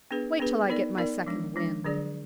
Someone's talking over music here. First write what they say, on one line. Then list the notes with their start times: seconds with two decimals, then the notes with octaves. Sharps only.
"Wait till I get my second wind."
0.11 B3 D4 G#4 B4
0.40 B3 D4 G#4 B4
0.69 B3 D#4 A#4 D5
0.97 B3 D#4 A#4 D5
1.26 F3 G#3 D4
1.56 F3 G#3 D4
1.84 D3 F#3 D4 G#4 D5